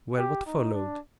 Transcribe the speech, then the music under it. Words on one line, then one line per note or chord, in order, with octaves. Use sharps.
"Well, what followed?"
G4
D#4
D4